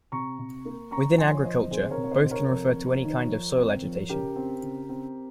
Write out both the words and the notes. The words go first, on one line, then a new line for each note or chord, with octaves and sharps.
Within agriculture, both can refer to any kind of soil agitation.
C3 A#5 C#6
C3
A#3
C#4 A#5 C#6
F3 G#5 C6
C#5
F3 C5 D#5
C3 G#4 C5
A#4 C#5
C3
C#5
C5 D#5
C2
A#4 C#5
F2
F2
D#3
F3
C4
F3
C#3 G4 A#4
C4
C#3
C4